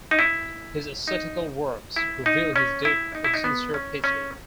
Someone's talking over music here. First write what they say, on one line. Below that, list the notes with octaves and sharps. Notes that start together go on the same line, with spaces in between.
His ascetical works reveal his deep and sincere piety.
D#4
E4
D#4
E4
D#4
C#4
E4
D#4
E4
D#4
B3
C#4
C#4